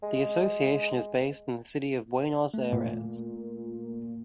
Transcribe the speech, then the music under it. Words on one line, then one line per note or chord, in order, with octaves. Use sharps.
The association is based in the city of Buenos Aires.
G#3
A3
A#2